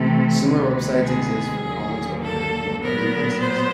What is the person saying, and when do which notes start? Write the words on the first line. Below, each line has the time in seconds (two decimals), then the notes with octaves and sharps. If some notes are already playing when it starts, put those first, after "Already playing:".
Similar websites exist for comments overheard in a variety of places.
Already playing: C3 E3 A3
0.45 D2 C3 D#3 G#3 B3
1.05 G#4
1.63 D#2 D3 F#3 A#3
2.22 A4
2.82 A#2 F#3 B3 A#4
3.41 C5